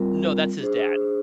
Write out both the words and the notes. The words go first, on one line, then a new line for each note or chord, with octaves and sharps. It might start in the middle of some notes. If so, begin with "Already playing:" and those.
No, that's his dad.
Already playing: G3 C4 F4 A#4
D4 G#4 C5